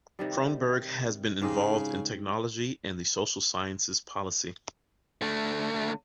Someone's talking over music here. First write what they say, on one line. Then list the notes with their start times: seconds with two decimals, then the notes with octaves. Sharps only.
Cronberg has been involved in technology and the social sciences policy.
0.19 C3 D#3 G3
1.42 G#2 C#3 G4 D#5
5.22 D3 A3